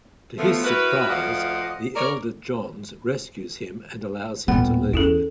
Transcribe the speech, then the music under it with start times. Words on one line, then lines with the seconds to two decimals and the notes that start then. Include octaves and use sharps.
To his surprise, the elder Johns rescues him and allows him to leave.
0.38 F3 A3 B3
0.64 E4 F#4 A#4 B4
1.09 D2 F3 D5 D#5 F5 F#5
1.96 A#4 C#5 D5
4.48 D#1 A2 G3 A#3 B3 F#5
4.93 E2 C#4 E4 G#4 A4